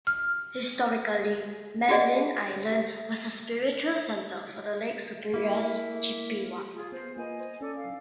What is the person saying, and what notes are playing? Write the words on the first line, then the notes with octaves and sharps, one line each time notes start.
Historically, Madeline Island was a spiritual center for the Lake Superior Chippewa.
F6
F4 F#4 G#4 D5 D#5 F#5
A#3 E4
F4 G#4
B3 C5
A#3 F4 B4 D#5 G#5
C5
C#4 A4 D5 D6
F5